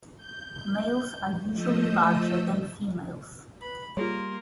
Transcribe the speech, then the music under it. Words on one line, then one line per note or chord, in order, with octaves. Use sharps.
Males are usually larger than females.
G6
F3 A3 D#5 E6 G6
B4 B5
G3 A#3 F4 G#4 A#4 C#5 C6